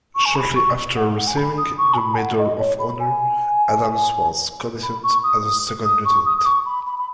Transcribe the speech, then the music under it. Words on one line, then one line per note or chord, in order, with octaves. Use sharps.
Shortly after receiving the Medal of Honor, Adams was commissioned as a second lieutenant.
C#6
G#5
B5
C#6
F#5
F#5
G#5
B5
D#6
C#6
G#5
B5
G#5
F#5
D#5
C#5
B5
G#5
B5
C#6
D#6
D#6
D#6
C#6
D#6
D#6
C#6
B5
B5
B5